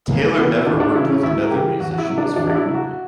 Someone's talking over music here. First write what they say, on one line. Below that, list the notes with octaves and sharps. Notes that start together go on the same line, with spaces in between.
Taylor never worked with another musician as frequently.
C#2 A#3
C#3 E3 B3
E4
D2 D4
D4
C#3 E3 E4
C#4
D2 E4
A#4
C#3 E3 G4
E2 F#4
F#4
E4
C#3 F#3
D4
E2 D4
D4
E4
C#3 F#3
F#4